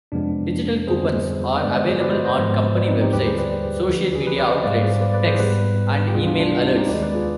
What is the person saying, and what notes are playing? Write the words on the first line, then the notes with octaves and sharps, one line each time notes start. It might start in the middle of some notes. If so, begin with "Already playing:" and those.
Digital coupons are available on company websites, social media outlets, texts, and email alerts.
F2 C3 F3 G#3 B3 D4
F2 D3 G3 B3 G#4 C5
D#5
G2 D3 G#3 B3 B4 D5
C5 D#5
G#4 C5
B4 D5
C5 D#5
C5 D#5
G#2 F3 G#3 B3
B4 D5
C4 D#4
D#4 G4
D#2 D3 G3 G4 B4
G#4 C5
B4 D5
D2 D3 F3
G#4
G4 B4
B4 D5
C5 D#5
G#2 G3 B3 D5 F5
G#4 C5
B4 D5
B4 D5
G#4 C5
G#2 G3 B3 G4 B4
G4
D2 C3 G3 B3 F4 G#4
D4 F4
D4
D4
C4 D#4
D#4 G4
D#2 D#3 G#3 B4 D5
B4 D5
F4 G#4